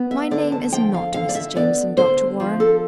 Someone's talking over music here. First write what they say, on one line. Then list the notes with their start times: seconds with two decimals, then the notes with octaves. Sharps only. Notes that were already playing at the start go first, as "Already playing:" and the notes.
My name is not Mrs. Jameson, Dr. Warren.
Already playing: B3
0.11 E5
0.31 D3 D5
0.52 A5
0.72 F3 G5
0.94 F5
1.14 D3 F5
1.29 D5
1.35 E5
1.56 B3 D5
1.97 D3 C5
2.40 F3
2.60 A4